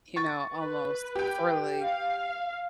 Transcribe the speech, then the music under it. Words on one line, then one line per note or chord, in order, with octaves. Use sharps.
you know, almost for, like,
C#6 A6
B4
G4 G5
F5